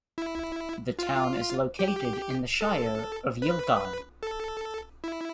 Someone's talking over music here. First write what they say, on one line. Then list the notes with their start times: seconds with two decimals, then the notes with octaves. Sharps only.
The town is located in the Shire of Yilgarn.
0.18 E4
0.99 F4
1.79 G4
2.61 A4
3.42 B4
4.23 A4
5.04 E4